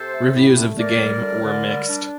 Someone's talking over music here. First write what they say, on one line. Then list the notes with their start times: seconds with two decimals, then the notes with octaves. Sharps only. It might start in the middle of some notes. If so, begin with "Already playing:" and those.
Reviews of the game were mixed.
Already playing: C3 A4 C5
0.12 A3
0.34 A2
0.56 A3
0.78 A#3 A#4 D5
0.99 G3
1.22 D2
1.44 D3
1.66 G3
1.88 D4